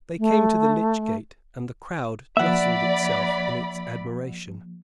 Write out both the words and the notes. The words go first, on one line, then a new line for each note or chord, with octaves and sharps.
They came to the lych gate, and the crowd jostled itself in its admiration.
A3
F3 A#3 D5 E5 F#5 B5